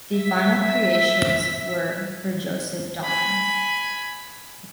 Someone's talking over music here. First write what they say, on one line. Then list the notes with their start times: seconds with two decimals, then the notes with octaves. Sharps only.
The final creations were for Joseph Damer.
0.15 E5 B6
3.04 G#5 B5